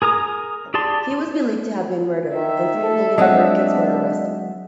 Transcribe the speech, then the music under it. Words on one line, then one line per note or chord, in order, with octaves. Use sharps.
He was believed to have been murdered, and three Native Americans were arrested.
G#4 A#4 A#5 D#6
G4 G#4 D5 A5 C6
D#3 E5
A4
F#3 G#3 C4 D4 D#5 F#5